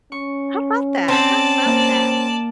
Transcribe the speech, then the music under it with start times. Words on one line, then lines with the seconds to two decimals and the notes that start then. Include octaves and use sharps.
How 'bout that? How 'bout that?
0.12 C#4 C#6
1.08 C4 D5 A5
1.65 A#3